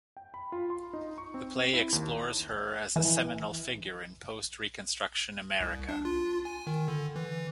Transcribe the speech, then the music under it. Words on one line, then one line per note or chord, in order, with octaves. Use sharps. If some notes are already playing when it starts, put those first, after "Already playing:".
The play explores her as a seminal figure in Post-Reconstruction America.
G5
B5
F4
C6
D#4
C#6
C4
C4
E4
D#2
E3
C2
D4
F4
G#5
D#3
D3
E3
E3